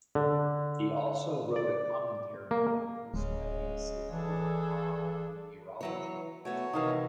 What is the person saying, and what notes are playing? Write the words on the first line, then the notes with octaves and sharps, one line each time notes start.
He also wrote a commentary on Posidonius' work "On Meteorology".
D3
D5
A#3
D1 C#3 G#3
E3 D4 G#4 A4
E3 F#3 C#5
A3 B3 F#4 C#5
C3 D#3 E3 D#4 F5